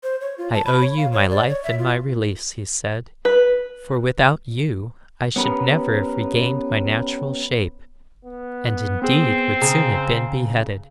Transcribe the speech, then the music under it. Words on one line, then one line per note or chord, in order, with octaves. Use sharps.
'I owe you my life and my release,' he said, 'for without you I should never have regained my natural shape, and, indeed, would soon have been beheaded.
C5
C#5
F4
A5
B5
C#5
F5
C#5
D5
C#5
E5
F4
B4
B3 C#4 G4 A#4 B4
B3
B3 C4 G#4
C#3 G#4 G#5 A#5